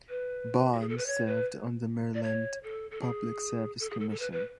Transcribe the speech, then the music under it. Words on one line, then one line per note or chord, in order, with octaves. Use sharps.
Barnes served on the Maryland Public Service Commission.
B4
F#4
G#4
A4
B4
C#5
B4
D5
C#5
A4
A4
G#4
A4
G#4
A4
A4
B4
B4